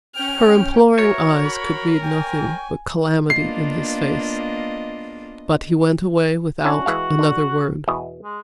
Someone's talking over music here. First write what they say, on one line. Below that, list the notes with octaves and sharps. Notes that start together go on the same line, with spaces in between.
Her imploring eyes could read nothing but calamity in his face, but he went away without another word.
C#4 G5 F6
F#4 A#4 C#5 E5
B5
G5 G#5
A#3 B3 D4 F4 D#5 C7
C#4 D4 E4 F#4
E3 G#3 F5
D3
E2 B2 D#5
G#3